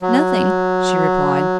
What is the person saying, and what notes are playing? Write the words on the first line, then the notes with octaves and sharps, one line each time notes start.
"Nothing," she replied.
F#3